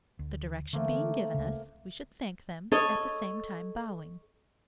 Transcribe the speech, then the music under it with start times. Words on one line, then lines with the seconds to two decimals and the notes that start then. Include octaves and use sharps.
The direction being given us, we should thank them, at the same time bowing.
0.19 D2
0.73 D3 E3 A3 A#3 C4
1.34 C#2 C#3
2.72 A4 C#5 D#5